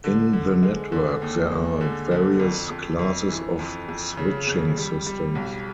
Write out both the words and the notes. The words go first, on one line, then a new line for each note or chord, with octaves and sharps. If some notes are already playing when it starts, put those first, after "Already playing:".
In the network there are various classes of switching systems.
D3
D3
G#3
D3
D#2
G#3
D3
D3
F2
F2
F2
E3
F2
F2
C#3
F2
G3
G3
B1